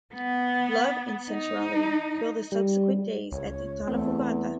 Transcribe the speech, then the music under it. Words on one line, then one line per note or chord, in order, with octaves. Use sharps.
Love and sensuality fill the subsequent days at Donnafugata.
B3
D#4
G3
C#2 C#5
E2 A3 C4